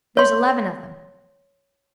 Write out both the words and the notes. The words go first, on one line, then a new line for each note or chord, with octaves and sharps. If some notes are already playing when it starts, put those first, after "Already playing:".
There's eleven of them.
C#5 C6